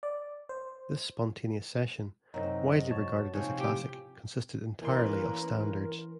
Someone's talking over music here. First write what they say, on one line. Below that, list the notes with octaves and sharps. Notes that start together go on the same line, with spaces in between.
This spontaneous session, widely regarded as a classic, consisted entirely of standards.
D5
C5
F#2 C3 C4 D#4 D#5
F#4 C#5 A5
C3 F3 D#4 C#5 G#5
A2 G4
E3 A#3 C#4 A#4 B4 C6